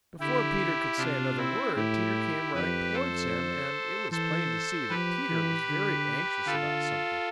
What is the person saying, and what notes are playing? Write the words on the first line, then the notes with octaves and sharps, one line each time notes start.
Before Peter could say another word Teeter came running towards him, and it was plain to see that Teeter was very anxious about something.
D3 E4 G4
C3 D4 F4
C4 E4
A2 E4 G4
F2 G4 B4
A4 C5
E3 A4 C5
F3 G4 B4
E3
D3
D3 F4 A4